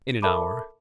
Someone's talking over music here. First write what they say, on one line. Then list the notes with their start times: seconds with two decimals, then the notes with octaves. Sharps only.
"In an hour."
0.22 A4 A#4 E5 A5 B5 D6